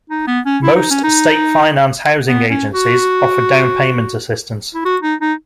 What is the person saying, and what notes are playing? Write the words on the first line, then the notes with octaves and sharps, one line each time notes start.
Most State Finance Housing Agencies offer down payment assistance.
D#4
B3
C#4
E4
D#4
C#4
D#4
B3
C#4
F#4
E4
F#4
D#4
D#4